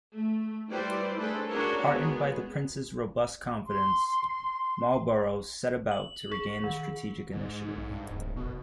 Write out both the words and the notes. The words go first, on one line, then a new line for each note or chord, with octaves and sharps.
Heartened by the Prince's robust confidence, Marlborough set about to regain the strategic initiative.
A3
G3 E4 B4 C5 D5
A3 D4 G#4 A4 B4 C5
C#4 D4 F#4 G#4 A#4 C#5
G#3 B3 G#4
C6
F#7
G#4
D#3
G#2
B1
G2
D1
F#1 B2